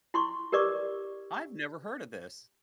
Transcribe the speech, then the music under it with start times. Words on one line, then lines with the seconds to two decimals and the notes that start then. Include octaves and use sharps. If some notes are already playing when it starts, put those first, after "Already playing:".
I've never heard of this.
0.14 E4 C6 C#6
0.52 G4 A#4 B4 D5 C#6 D6